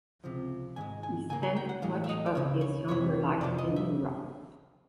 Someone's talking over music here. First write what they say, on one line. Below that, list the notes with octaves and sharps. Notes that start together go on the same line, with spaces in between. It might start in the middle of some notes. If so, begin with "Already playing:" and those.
He spent much of his younger life in Europe.
C#2 C3 F3
G#2 D#3 G#3 G#5
G#5
D2 C#3 A#3 G#5
G#5
G5
F#5
A2 E3 G#3 F5
E5
D#5
D5
C#2 C#3 C#5
C#5
F2 C3 E3 C#5
F2 C3 F3 D5
D#5
E5